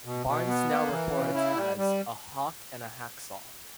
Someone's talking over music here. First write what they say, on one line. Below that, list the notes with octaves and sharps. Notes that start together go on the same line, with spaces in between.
Barnes now records as A Hawk and a Hacksaw.
B2
B2
B3
A#3
E3
C#3
E4
G3
G3